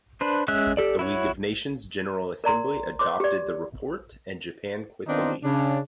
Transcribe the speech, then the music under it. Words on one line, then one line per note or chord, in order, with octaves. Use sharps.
The League of Nations General Assembly adopted the report, and Japan quit the League.
D4 B4 C5
G#3 C#4 E5 F#6
G4 A4 D5
E4 F#4 C#5
A#4 D5 A#5 C6
B4 C#5 C6 D6
G4 D5
D#3 B3 C4 D4 D#4 F4
C#3 D4